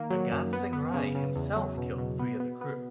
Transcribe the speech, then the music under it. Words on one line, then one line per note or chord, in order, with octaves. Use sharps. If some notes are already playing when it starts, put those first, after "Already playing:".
Agansing Rai himself killed three of the crew.
Already playing: D#3 A#3
F#3
F#2
B3
B3
C#3
C#3
E2
F#3
B2
B2
B3
B3
B3